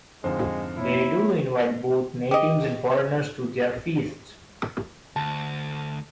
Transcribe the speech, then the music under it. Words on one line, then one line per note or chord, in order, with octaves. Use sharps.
They do invite both natives and foreigners to their feasts.
F2 G#2 D3 G#3 C5
A#3 E4 C#5
G4 D#5
D2 A5